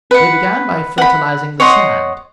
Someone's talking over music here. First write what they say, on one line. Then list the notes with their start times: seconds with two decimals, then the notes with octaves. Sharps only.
They began by fertilizing the sand.
0.11 B4 F#5
0.98 F#5 B5
1.60 C#5 D#5 F#5 C6